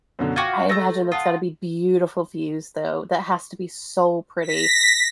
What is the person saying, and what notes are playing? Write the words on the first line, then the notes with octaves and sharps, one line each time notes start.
I imagine that's gotta be beautiful views, though. That has to be so pretty,
F#2 B2 D3
F4 F#4 G5 D6 G#6
A3 A#5 E6 A6 A#6
F4 F#5 A5 D#6
A#6 B6